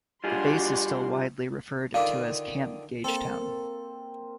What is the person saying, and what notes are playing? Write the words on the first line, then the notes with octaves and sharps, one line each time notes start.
The base is still widely referred to as Camp Gagetown.
G3 D4 F4 F#4 G#4 C6
D3 D#3 F4 F5 D6
A#3 C4 A4 A5